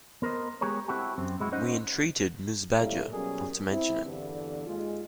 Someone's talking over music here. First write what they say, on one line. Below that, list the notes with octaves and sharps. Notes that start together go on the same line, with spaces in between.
We entreated Mrs. Badger not to mention it.
B3 A#4 C5 D#5
G#3 B3 G4 G#4 A#4 C#5
C4 E4 F#4 G4 A4
F#2 C4
G#3 E4 F#4
C#4 D#4 C5 D#5 F#5
F#2 A2 G3 A3 A#3
B2 F#3 G3 C#4 G#4 A#4
C4 E4
E2 G2 D3
D#2 G#3 F4